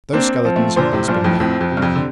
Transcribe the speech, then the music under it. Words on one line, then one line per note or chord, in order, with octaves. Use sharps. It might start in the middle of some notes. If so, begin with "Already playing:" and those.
Those skeletons had once been men.
A#3 C4 D4
F3
A3 C4
A#2 D3 C5
A2 C3
G2 A#2 F3
F2 A2
F2 A2 C4
F2
C3
G2
F2
D3